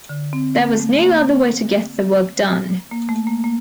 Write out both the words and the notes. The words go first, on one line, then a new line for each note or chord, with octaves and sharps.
There was no other way to get the work done!
D3
C4
A#3
A3
A#3
C4
A#3
A3
A#3
A#3